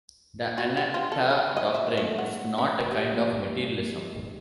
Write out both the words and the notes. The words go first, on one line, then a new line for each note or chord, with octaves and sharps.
The "anatta" doctrine is not a kind of materialism.
F#4
G4
F4
A4
C#5
D#5
E5
A3
F#5
C#4
G4